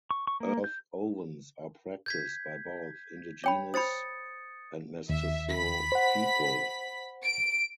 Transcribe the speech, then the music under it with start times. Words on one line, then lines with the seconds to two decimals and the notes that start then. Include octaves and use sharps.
Earth ovens are practiced by both indigenous and mestizo people.
0.11 C#6
0.27 C#6
0.40 A#3
0.64 G6
2.06 G6 G#6 B6
3.44 C#5 G5 B5
3.74 C5 B5 D#6 A6 C#7
5.09 D#2 E5
5.49 B5 B6
5.92 C5 F#5
7.23 D7